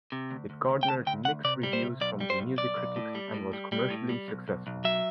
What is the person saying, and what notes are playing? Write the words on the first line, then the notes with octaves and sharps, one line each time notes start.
It garnered mixed reviews from the music critics and was commercially successful.
C3
D2
D2
D2
G5
D2 A5
D2 G5
D2 F#5
C3 D5
G3
C5
C3
B1 D5
G3
C5
B1
B1 D5
B1
A2
G3
A2
G3
G3
A2
G3
B1
B1
B1
F#3 E5